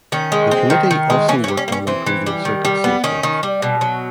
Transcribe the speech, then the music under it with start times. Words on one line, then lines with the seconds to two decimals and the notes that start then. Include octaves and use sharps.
The committee also worked on improving circuit safety.
0.12 D#3 C#4
0.32 G#3
0.51 C4
0.70 D#3
0.91 D#3
1.10 G#3
1.28 E3 C#4
1.44 C#4
1.48 G3
1.57 C#4
1.68 A#3
1.72 C#4
1.87 E3 C4
2.06 E3
2.26 G3
2.45 D#3
2.65 G3
2.84 B3
3.04 D#3 C#4
3.23 D#3
3.43 G3
3.62 B2
3.81 F#3